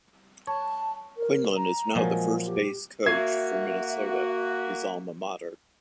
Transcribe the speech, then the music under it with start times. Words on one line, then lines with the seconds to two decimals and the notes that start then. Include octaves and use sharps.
Quinlan is now the first base coach for Minnesota, his alma mater.
0.47 C#5 A5
1.16 A#4
1.56 A#5
1.95 A#2 F3 F#3 G#3
2.45 G4
3.06 A#3 F#4 E5 G#6 C7